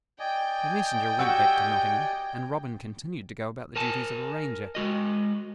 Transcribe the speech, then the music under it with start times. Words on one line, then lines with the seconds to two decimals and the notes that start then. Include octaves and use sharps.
The messenger went back to Nottingham; and Robin continued to go about the duties of a ranger.
0.19 D5 D#5 G5 G#5
1.19 F#4 G4 F#5 E6
3.76 A#4 G#5 A5
4.75 G#3 F#4 D#5